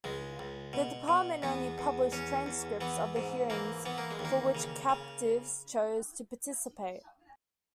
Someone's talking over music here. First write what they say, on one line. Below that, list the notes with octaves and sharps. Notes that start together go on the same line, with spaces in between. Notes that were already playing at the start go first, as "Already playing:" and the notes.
The Department only published transcripts of the hearings for which captives chose to participate.
C#2 G#3
C#2
B2
B2
E2 B3
E2
E2 C#4
E2
E3 B3
G#2
E3 A#3
E3 B3
A#3
G#3
D#2
A#3
C#3
C#3